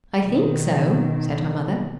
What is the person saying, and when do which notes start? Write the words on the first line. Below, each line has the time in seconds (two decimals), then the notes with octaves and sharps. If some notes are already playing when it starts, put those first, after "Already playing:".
"I think so," said her mother.
0.23 B2 D#3